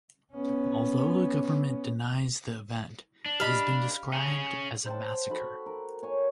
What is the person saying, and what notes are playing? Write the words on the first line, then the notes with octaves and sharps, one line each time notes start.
Although the government denies the event, it has been described as a Massacre.
B3 C#4
D4
G4 D#5 F5 B5 F6
C#4 G#4
C5 F#5 G5 A5
F#4 A4 B5
A#4
C#5 G#5